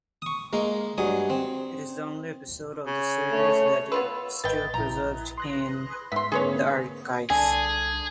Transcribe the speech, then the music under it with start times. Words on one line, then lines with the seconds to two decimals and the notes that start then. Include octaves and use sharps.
It is the only episode of the series that it still preserved in the archives.
0.22 C#6 D#6
0.53 G#3 A#3 D#4
0.98 G2 F#3 G#5 D#6
1.30 C4
2.87 C#3
3.31 A3 C#5
3.92 B3 F4 B4 E6
4.44 G#1 B4 D#5 G5 A6
4.74 A#1 E4 A#5
5.37 C6 F#6 A#6
6.12 G#2 B3 E5 C6 B6
6.32 D3 A#3 C4 G#4 B4 C#5
7.30 C2 D3 G#4 G#5